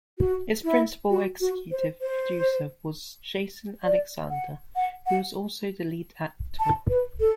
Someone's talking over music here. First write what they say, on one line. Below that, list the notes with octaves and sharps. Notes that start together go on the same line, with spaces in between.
Its principal executive producer was Jason Alexander, who was also the lead actor.
F#4
E4
F#4
F#4
C5
C5
D5
F#5
F#5
F#5
A5
B4
A4